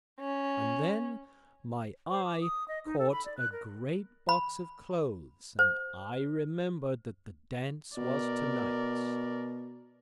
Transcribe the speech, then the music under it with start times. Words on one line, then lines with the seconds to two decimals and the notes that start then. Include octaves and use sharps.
And then my eye caught a great box of clothes, and I remembered that the dance was to-night.
0.21 C#4
2.10 C5
2.25 D6
2.41 D#6
2.68 D#5
2.86 D#4
2.99 A4
3.12 B5
3.26 D5
3.38 F#6
3.52 A#4
4.29 B5
5.59 C5
7.97 B2 A#4 D5